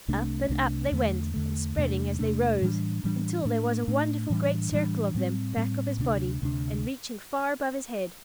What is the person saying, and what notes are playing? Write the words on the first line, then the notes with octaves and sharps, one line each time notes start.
Up and up they went, and spreading as they rose, until there was a wonderful great circle of them back of his body and reaching far above his head.
C2 C3 A3 D4
C2 C3 A3 D4
E2 D3 A3
E2 D3 A3
E2 C3 A3 D4
E2 C3 A3 D4
A2 E3 G3 D4
A2 E3 G3 D4
A2 A3 D4
A2 A3 D4
A2 E3 G3 D4
A2 E3 G3 D4
A2 G3 C4
A2 G3 C4
D2 C3 A3 D4
D2 C3 A3 D4